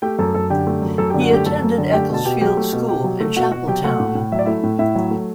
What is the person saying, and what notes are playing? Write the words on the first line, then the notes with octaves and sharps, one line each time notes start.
He attended Ecclesfield School, in Chapeltown.
A3 G4 G5
F#2 A4 A5
F#2 A4 A5
D3 G4 G5
A3
F#2
F#2 A4 A5
G4 G5
D3
F#4 F#5
A3 G4 G5
F#2 A4 A5
F#2
D3
A3 G4 G5
B2 A5
B2 G4 G5
F#3 G4 G5
A3
B2
B2 G4 G5
F#3
A3
B2 F#4 F#5
B2 F#4 F#5
F#3 G4 G5
A3 F#4 F#5
A2
A2
F#3 E5
D5
A3 E4 E5
A2
A2 E4 E5
F#3
A3